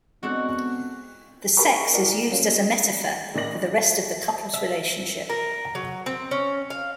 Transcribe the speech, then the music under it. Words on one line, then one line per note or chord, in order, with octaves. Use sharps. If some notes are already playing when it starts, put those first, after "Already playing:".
The sex is used as a metaphor for the rest of the couple's relationship.
G#3 B3 C4 D4 F#4 A4 F#6
G4 G#4 A#4 G#5 B5 C#6
E4 A#4 D5 F#5
F#3 A#3 C#4 F4
G#3 G#4
A1 D#3 D5 D#5 A#6 F#7
E5
A#4
F#3
C4
C#4
F5